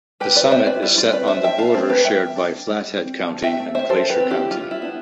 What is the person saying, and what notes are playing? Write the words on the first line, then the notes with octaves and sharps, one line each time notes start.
The summit is set on the border shared by Flathead County and Glacier County.
G3 G4 B4
B4 D5
C4 C5 E5
B4 D5
G3 E4
F4
C4 B4 D5
C5 E5
F3 E5 G5
F5 A5
A3 C4 A4 C5
G4 B4
G3 E5 G5
D4
G3
C4
F3
E5 G5
A3 C4
C5 E5
F3 A4 C5
G4 B4
C4
E4 G4
G3 F4
E4
B3 D4